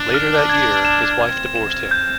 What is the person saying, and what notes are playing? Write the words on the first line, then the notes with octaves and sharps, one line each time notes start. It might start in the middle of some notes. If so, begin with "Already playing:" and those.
Later that year, his wife divorced him.
Already playing: D4
F6
G#6
E7
C4 G#6
E7
G6